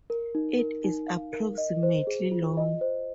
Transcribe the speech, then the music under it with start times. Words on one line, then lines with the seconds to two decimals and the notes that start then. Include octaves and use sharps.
It is approximately long.
0.10 A#4
0.35 D#4
0.59 A#4
0.84 D#4
1.08 F5
1.33 A#4
1.58 D#5
1.83 C5
2.07 G#4
2.32 F4
2.57 D#5
2.81 C5